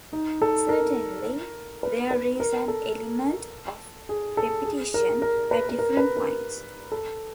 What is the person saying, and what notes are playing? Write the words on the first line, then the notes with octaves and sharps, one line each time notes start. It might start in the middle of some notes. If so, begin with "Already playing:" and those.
Certainly there is an element of repetition at different points.
D#4
A4
A#4
B4
B4
A#4
A4
G#4
A4
G#4
A#4
A#4
B4
B4
A#4
B4
A#4
A4